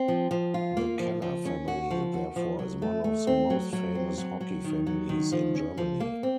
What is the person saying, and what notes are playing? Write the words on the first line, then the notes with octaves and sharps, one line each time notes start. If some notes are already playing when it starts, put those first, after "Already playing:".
The Keller family therefore is one of the most famous hockey families in Germany.
Already playing: C4
F3
F3
F4
A#3
F3
F3
C#4
F#4
F3
F#4
F3
F#3
A3
A3
C4
F#3
F#3
C4
F#3
F#3
D#3
F#3
D#3
F3
C#4
F3
A#3
C4